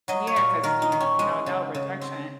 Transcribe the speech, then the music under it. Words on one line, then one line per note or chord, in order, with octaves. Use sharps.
Yeah, 'cause you you don't know, rejection.
F#3 D#5
C#5
A#2
D#3 A#4
D#4
D#3
C#4
G#3
C#3
C#3
C4